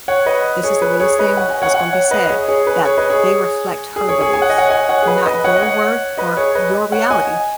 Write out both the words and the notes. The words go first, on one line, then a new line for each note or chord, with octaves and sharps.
this is the realest thing that's gonna be said- that they reflect her beliefs, not your worth or h your reality,
C#5 F#5
B4 D#5
G#4 C#5
B4
G#4 C#5
B4 D#5
C#5 F#5
D#5 G#5
C#5 F#5
C#5 F#5
C#5 F#5
B4 D#5
D#5
G#4 C#5
G#4 C#5
B4
G#4 C#5
B4 D#5
G#4 C#5
G#4
G#4 C#5
G#4 C#5
G#5
F#5
D#5
C#5 F#5
D#5 G#5
C#5 F#5
G#4
B4
B4 D#5
C#5 F#5
D#5
C#5 F#5
B4 D#5
G#4 C#5
B4 D#5
C#5 F#5
D#5 G#5